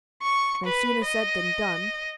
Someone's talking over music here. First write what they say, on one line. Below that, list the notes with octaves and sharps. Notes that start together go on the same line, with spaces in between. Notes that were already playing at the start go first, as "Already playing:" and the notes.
No sooner said than done.
C#6
B4
D#5